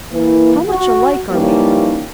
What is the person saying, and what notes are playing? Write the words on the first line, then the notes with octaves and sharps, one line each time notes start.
How much alike are we?
E3 A#3
F#4
E3 F3 G3 A#3 C#4 D#4